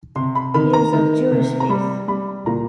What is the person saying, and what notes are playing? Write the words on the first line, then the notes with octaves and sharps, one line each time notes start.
He is of Jewish faith.
C3 C6
B5
D#3 B5
A#5
D#3
C3
A#5
G3 B5
G3 B5
A#2 A#5